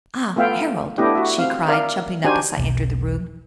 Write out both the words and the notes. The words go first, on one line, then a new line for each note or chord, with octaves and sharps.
"Ah, Harold!" she cried, jumping up as I entered the room.
A3 B3 F4 E5 F5 G5
A3 B3 D4 E4 G4 D#5
F#4 E5
C4 F5
A#4 D5 E5 F5
D4 D#4 F#4 G4 C5 G#5
E1 B1